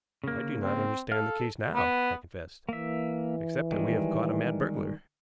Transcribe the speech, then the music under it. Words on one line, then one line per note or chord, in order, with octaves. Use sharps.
"I do not understand the case now," I confessed, "except that we have caught a mad burglar."
C#3 A#3
C4
A4 F5
B3
E3 A#3 E5
D#3 G3 G#3